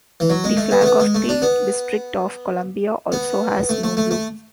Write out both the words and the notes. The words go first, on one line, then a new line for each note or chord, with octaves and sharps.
The flag of the District of Columbia also has no blue.
E3
F#3
G#3
A3
B3
A3
B3
G#3
A3
D4
B3
B3
A3
A3
A3
A3